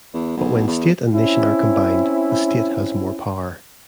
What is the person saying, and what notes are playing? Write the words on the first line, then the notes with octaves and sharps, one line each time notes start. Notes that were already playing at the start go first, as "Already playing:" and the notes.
But when state and nation are combined, the state has more power.
E2
B1
E2
C4 C#4 E4